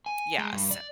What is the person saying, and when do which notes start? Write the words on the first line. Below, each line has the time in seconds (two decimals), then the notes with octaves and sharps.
yeah, so
0.06 G#5
0.38 G#3
0.53 G2
0.71 D5